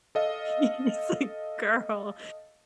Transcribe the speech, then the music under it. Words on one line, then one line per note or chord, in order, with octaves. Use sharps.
he's like, "Girl,
A4 D#5 F5